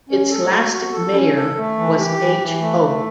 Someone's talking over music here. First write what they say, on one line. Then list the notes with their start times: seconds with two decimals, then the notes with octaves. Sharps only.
Its last mayor was H. O.
0.09 C#4
0.30 A4
0.51 F#4
0.73 F#4
0.93 A4
1.14 C#4
1.36 A4
1.56 A3
1.77 E3
1.98 G4
2.19 E3
2.40 E3
2.61 A3
2.82 A3